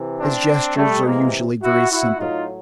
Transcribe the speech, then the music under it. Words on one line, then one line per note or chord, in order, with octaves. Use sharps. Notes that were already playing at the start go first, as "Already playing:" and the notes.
His gestures are usually very simple.
Already playing: C3 E3
C4 D4
G3 A3
C3 E3 G#3 A#3
E4 F#4
E4 F#4
A2 F#3 D#4 F4